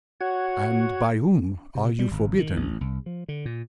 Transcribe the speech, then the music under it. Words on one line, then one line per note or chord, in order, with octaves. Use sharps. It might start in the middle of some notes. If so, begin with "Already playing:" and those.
"And by whom are you forbidden?"
F#4 C#5 F#5 G#6
C3
G3
G#1
D#3
A1
C2
F3
D3
A#2